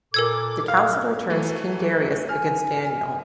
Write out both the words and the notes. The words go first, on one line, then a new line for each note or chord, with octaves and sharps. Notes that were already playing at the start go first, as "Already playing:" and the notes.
The counsellor turns King Darius against Daniel.
A#2 A4 A#4 D6 E6 G#6
F5
E3 F#3 A3
G#5 F6